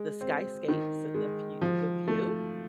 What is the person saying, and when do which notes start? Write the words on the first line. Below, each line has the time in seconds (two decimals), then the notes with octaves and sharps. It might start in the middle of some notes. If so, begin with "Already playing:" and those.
the skyscapes and the fe the view.
Already playing: G#3
0.21 C4
0.68 D#3
1.14 G#3
1.61 F3
2.08 A3